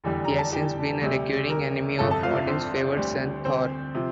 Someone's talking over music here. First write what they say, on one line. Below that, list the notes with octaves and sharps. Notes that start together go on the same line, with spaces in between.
He has since been a recurring enemy of Odin's favored son, Thor.
F1 E2 D3 G3
A#5
A5
G4 G5
D2 C3 G3
A#4 A#5
G1 F2 C3 F3 A4 A5
A4 A5
F4 F5
E5
D4 D5
C4 C5
D2 D3 G3
C4 C5
C3 F3